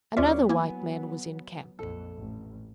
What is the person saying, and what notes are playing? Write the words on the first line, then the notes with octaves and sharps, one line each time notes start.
Another white man was in camp.
D#2 F#3 B3 C#4 F4 G#4 D5 E5
A#3 E4 G#5
A#1 F2 A4
A1